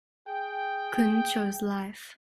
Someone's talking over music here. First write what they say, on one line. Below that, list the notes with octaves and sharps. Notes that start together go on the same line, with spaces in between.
Kun chose life.
G#4 G5